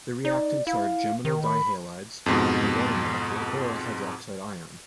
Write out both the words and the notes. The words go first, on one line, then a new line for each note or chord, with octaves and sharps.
The reactants are geminal dihalides with a water molecule or a hydroxide ion.
D#4 D5
E4 F5
D#3 A#4
B5
F2 G#2 B2